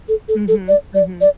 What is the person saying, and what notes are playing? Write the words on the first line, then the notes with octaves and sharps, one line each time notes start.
Mhm, mhm.
A4
A4
A4
D5
D5
D5